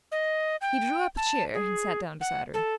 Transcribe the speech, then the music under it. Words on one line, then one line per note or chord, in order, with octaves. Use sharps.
He drew up a chair and sat down beside her.
D#5
G5
A5
G#4
F#5
A4